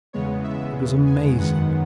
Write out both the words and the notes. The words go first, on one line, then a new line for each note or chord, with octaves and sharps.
It was amazing.
E2 C#3 G#3 B3 C#5
E5
G#5
F#2 D#3 G#3 B3 F#5